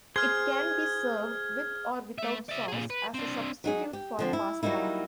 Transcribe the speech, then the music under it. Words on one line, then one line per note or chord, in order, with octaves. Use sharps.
It can be served with or without sauce, as a substitute for pasta.
G#4 C5 C6 F6 G#6
A3 E5
D5 E5
A#2 G#4
B4
C4 D4
F#3 D#4 G#4
G4
D3 F3 C4
E4
F#3 G3 A#3 D#4 E4